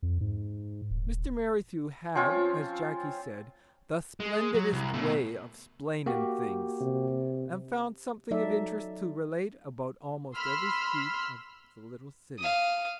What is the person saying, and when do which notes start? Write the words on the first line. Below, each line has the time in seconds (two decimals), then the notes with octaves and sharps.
Mr. Merrithew had, as Jackie said, "the splendidest way of splaining things," and found something of interest to relate about almost every street of the little city.
0.03 F2
0.21 G#2
0.90 D#1
2.15 F3 C4 C#4 F4
4.20 G#3
4.54 F#3
4.73 C2
4.94 B2 A3
6.06 A#3 F#4 G4
6.81 C3
8.31 F#3 D#4 A4 D5 E5
10.36 B5 C6 E6 F6
12.38 F5 D#6